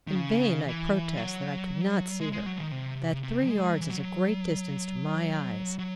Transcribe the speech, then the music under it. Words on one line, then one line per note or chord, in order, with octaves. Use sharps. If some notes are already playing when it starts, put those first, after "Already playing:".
In vain I protest that I could not see her,--that three yards is a great distance to my eyes.
D#3
C#3
E3
F#3
G#3
G#3
F#3
D#3
C3
C3
G#3
F#3
E3
F#3
F#3